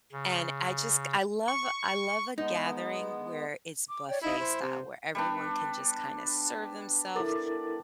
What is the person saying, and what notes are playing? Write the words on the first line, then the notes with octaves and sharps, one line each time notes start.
and I just g I love I love a gathering where it's buffet style, where everyone can just kinda serve themselves,
C#3
C#6
G#3 B3 D#4
D6
C#5 D5 G5
D#4 E4 D#5 F5
C5
C3
G3 B3 D4
E4 A4 A#4 D5